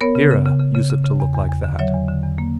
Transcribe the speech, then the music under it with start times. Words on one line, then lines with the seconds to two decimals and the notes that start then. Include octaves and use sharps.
Vera usedn't to look like that.
0.01 B3 A#4 C#5
0.15 C#3
0.31 C#3
0.45 C#3
0.60 C#3
0.75 C#3
0.90 C#3
1.05 C#3
1.20 E2
1.34 E2
1.49 E2
1.64 D3
1.79 F#3 C#5 E5
1.94 E2
2.08 D3
2.23 E2
2.38 A#3